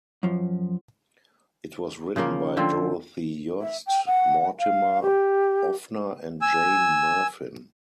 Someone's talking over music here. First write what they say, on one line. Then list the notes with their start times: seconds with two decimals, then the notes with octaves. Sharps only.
It was written by Dorothy Yost, Mortimer Offner and Jane Murfin.
0.23 F#2 F3
2.16 C#3 F3 A#3 A#4
2.57 D3 F3 C4
3.61 E5
3.86 G5
4.06 F#5
4.59 F5
5.02 G4
6.42 G#5 E6